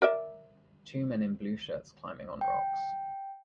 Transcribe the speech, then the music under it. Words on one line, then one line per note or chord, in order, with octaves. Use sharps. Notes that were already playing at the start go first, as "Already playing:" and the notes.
Two men in blue shirts climbing on rocks.
A#4 D5 E5
G5